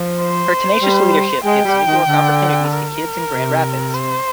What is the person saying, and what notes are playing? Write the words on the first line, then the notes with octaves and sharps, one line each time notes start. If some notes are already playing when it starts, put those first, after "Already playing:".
Her tenacious leadership gives New York opportunities to kids in Grand Rapids.
Already playing: F3
C5
G3
G#3 G5
G3
D#3
D3
A#4
C3
C5